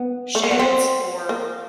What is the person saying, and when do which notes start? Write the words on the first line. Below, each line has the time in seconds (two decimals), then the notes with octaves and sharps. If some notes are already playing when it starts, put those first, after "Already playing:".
sheds or
Already playing: B3
0.35 A3
0.44 A#3
0.51 B3
0.59 C4
1.29 A#3